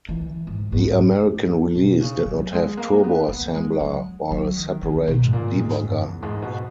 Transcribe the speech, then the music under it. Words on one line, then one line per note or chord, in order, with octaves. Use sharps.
The American release did not have Turbo Assembler or a separate debugger.
E3
G#2
G#2
E2
B2
C#3
F#3
G#3
A#3
B3
B3
G#3
F#3
F#3
D#3
D#3
B2
G#2
A#2
G#2
F#2
E2
G#2
B2